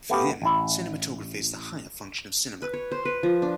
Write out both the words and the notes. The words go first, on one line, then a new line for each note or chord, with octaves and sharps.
For him, cinematography is the higher function of cinema.
A3 B3 G4 F5
A1 E4
B4
C#5
C5
B4
F3
D4